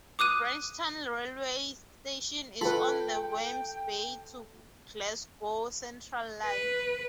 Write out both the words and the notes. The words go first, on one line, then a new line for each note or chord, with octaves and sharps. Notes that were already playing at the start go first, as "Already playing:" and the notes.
Branchton railway station is on the Wemyss Bay to Glasgow Central line.
D6 D#6 F#6 D#7
F4 A4 B4 G5 B5
B4